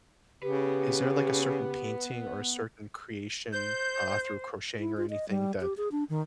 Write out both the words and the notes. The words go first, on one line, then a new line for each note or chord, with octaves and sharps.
is there, like, a certain painting or a certain creation, uh, through crocheting or anything that
C#3 B3 G4 B4
C5 G6
E4
F4
D#5
G3
G4
G#4
D4
D#3